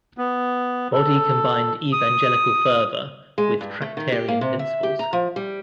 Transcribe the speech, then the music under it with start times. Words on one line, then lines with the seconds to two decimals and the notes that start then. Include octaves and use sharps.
Body combined evangelical fervour with tractarian principles.
0.18 B3
0.93 A4
1.93 D#6
3.38 G#3
3.61 G2
3.82 A3
3.97 D#3
4.12 G4
4.28 A#3
4.41 C3
4.59 E5
4.83 G4
4.99 A#5
5.13 F3
5.36 G3